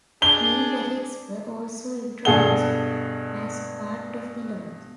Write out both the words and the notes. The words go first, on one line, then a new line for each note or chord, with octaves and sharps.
New graphics were also introduced, as part of the launch.
D4 G#4 G7
G2 B2 G#4 A4 F#5 G7